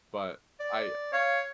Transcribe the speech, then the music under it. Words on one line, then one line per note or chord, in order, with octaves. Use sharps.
But I
D5
C#5 F5